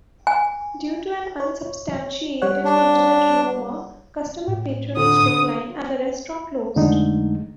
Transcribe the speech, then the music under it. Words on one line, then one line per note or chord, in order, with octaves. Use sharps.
Due to an unsubstantiated internet rumor, customer patronage declined and the restaurant closed.
G#5
C#5
G3 C#5 F#5
D4
A2
D3 D#6
F2 D3 G#3 A3 D#4